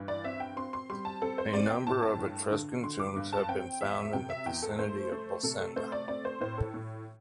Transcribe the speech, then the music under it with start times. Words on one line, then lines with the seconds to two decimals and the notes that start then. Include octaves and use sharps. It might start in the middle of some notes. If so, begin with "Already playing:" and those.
A number of Etruscan tombs have been found in the vicinity of Bolsena.
Already playing: G2 E3
0.08 D5
0.24 C4 E5
0.40 G5
0.56 C4 C6
0.73 C6
0.90 G3 C6
1.05 A5
1.22 C4 A4
1.38 C5
1.53 C4 D5
1.70 G5
1.87 A2 A5
2.03 A5
2.19 G2
2.51 D3
2.83 D3 C6
3.00 D6
3.16 G2
3.33 A5
3.49 C4 G5
3.81 E2 E5
4.13 C3 G5
4.30 E5
4.46 E2 G5
4.62 A4
4.79 A3 C5
5.12 A3
5.43 C3 A4
5.60 A4
5.76 A3 C5
5.92 D5
6.08 C4 D5
6.25 C5
6.40 A2 C5
6.58 A4
6.74 A2